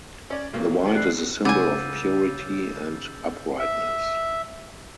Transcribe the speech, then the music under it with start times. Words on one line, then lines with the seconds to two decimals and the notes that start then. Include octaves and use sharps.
The white is a symbol of purity and uprightness.
0.30 C#4 D5
0.53 B1 A#2 A#3 F#4
0.83 D#3 C5
0.95 E3 D4 F#6 C7
1.45 C#3 B3 G#5 D6 E6 G6 A6 D#7
3.59 E5